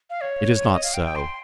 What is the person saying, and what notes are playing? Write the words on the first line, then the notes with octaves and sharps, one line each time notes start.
It is not so.
F5
C#5
D#5
F5
G5
G5
C6